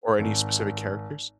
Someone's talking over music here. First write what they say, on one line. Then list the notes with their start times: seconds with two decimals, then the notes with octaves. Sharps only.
or any specific characters?
0.19 G#1